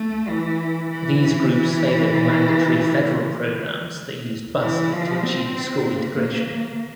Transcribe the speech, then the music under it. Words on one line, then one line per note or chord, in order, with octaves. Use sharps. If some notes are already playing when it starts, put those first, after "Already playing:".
These groups favored mandatory federal programs that used busing to achieve school integration.
Already playing: A3
E3
E3
E3
E3
F3
C4
A#3